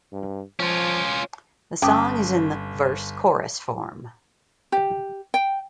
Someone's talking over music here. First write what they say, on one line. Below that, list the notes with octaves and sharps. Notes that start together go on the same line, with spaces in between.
The song is in the verse-chorus form.
G2
F3 C#4 F4
G1 C#4 G5 A5 D6 D#6
G4
G5